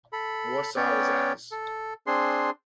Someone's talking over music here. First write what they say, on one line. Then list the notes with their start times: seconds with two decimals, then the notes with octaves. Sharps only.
Warsaw is ours!
0.13 A4 B5
0.76 B3 C#4 C#5 D5 G5
1.51 A4
2.07 C4 D4 G#4 C6